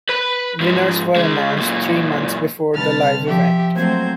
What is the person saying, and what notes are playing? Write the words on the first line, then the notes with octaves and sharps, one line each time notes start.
Winners were announced three months before the live event.
B4 B5
G#2 F3
C#3 G#3
F#2 A#2
C3 G3 B4 A5 F6 A6
F3 G4 E5
F#3 A3 A#3 C4 C5 G#6